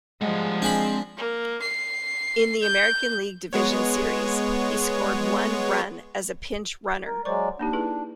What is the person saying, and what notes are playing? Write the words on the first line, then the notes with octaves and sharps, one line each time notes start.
In the American League Division Series, he scored one run as a pinch-runner.
F3 G3 G#3 F#5
C4 D4 G#4 B5
A#3
C7
G6
G#3 B3 C#5
A#4
F#3 G#3 C5 D5 C#6
A#3 D4 D#4 G4
E4 G#4 B4